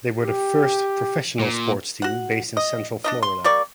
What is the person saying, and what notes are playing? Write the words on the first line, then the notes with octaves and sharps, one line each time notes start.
They were the first professional sports team based in Central Florida.
G4
A#2
F#4 F#5
D#5
D4 D#4 D#5
C6
G3 A#3 D5 C#6